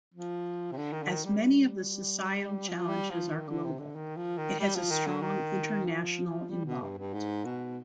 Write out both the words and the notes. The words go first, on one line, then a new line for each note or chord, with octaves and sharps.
As many of the societal challenges are global it has a strong international involvement.
F3
C3
D3
D#3
D3
D#3
G3
F3
G3
F3
D#3
D3
C3
D3
D#3
F3
D#3
G3
F3
D#3
D3
D#3
F3
G3
B2
G2
G2
G#2
B2